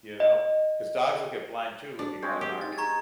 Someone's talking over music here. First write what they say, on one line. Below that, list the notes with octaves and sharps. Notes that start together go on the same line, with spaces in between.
You know? 'Cause dogs will get blind too looking at an arc.
D#5
D4 F#4
G#3 C4 C#5
G4
D#4 A6
G#4 A#5 C#6 G#6